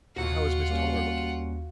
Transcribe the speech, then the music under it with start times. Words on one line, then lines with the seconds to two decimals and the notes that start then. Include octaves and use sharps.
And how is Miss Toller looking?
0.16 D#2 A#2 F4 F#4 F#5
0.69 G3 A#3 C#4